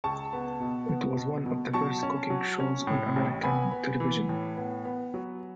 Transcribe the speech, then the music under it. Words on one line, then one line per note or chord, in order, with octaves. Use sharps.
It was one of the first cooking shows on American television.
C#2 A5 C#6
B3
B2
B3
B2
B2
F#3 A5 C#6
C#4
F#3
C#4
A2
A1
B3 G#5 B5
B3
E3
A2
B3
B3
F#3